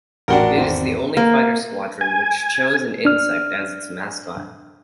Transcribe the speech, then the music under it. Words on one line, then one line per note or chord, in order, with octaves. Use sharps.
It is the only fighter squadron which chose an insect as its mascot.
A1 D4 F#4 A#4 G5 G7
G#1 E2 C4
A#3
G#5
D4 F6